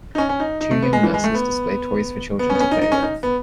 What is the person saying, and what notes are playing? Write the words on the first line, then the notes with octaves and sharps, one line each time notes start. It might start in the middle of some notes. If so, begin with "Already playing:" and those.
Two young nurses display toys for children to play with.
D#4
C#4
C#4
D#4
D#4
A3
B3
G#3
E3
G#3
A3
B3
B3
C#4
B3
C#4
D#4
D#4
C#4
D#4
B3